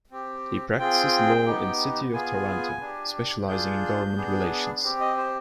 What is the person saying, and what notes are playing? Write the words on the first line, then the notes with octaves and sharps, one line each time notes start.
He practices law in the city of Toronto, specializing in government relations.
C4 G4
C4 F4 G#4 G5
B3 D#4 G4
B3 F4 G#4 G#5
D4 G4
D4 F4 G#4 G6
B3 D4 G#4
C4 G4
D#5
C5